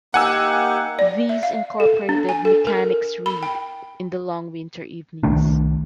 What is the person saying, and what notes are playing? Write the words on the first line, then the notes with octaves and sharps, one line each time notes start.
These incorporated mechanics read, in the long winter evenings.
A#3 D#4 G4 F#5 G#5 E6
D5
E5
F5
A4
D4
G#5
A4
A#4
B5
G5
C2 D#3 A3 D4